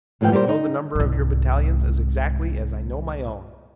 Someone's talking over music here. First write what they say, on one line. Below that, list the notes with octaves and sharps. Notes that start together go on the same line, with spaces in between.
I know the number of your battalions as exactly as I know my own.
D#2 A2 E3 F3 G5
G3 G4 A#4 C5
D#4
C2 G#2